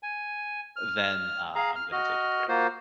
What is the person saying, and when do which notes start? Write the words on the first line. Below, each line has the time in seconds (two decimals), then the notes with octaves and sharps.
uh, then, uh, I'm gonna take a break.
0.03 G#5
0.76 F6
1.56 G#4 F5 A#5
1.76 F6
1.92 F#4 D#5 F6
2.49 A#3 F4 F#4 C5